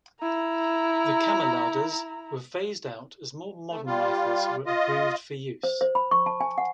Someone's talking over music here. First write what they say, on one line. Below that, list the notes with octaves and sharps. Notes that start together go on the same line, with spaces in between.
The "kammerladers" were phased out as more modern rifles were approved for use.
E4 A#5
A3
G3 F4
F4 D#5
C5
C5
B5
C#6
A5
G#5
F#5